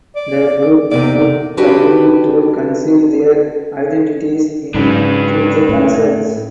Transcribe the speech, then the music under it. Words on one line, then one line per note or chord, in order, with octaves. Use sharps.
The group would continue to conceal their identities in future concerts.
D5
E2 C3 D#4 D5
D4 F#4 G4 B4 G5
G#2 C#3 F#3 D4 B4
A2